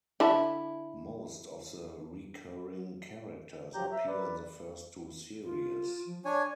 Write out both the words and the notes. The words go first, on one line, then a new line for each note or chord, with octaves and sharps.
Most of the recurring characters appear in the first two series.
D3 E4 E5 A5
G2 F3 F#3 G4 A#5 G6
E5 A#5
B4 D5
F4
F3
D4 C#5 D5 G#5